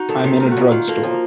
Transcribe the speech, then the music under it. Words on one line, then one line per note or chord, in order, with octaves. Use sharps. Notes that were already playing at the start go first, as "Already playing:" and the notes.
I'm in a drugstore.
Already playing: D#4 F#4
D#3 A4
C3
A3 A#4
F#4
A#2 D#4
D#3 F4
A#3 A4
F3 A#4